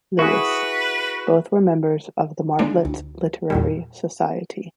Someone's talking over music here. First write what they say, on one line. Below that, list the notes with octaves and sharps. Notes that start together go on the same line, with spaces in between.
Lewis: both were members of the Martlets Literary Society.
E4 F#4 G#4 B4
D3 D#3 G#3 A#3 D4
D2
E2 A#2 G3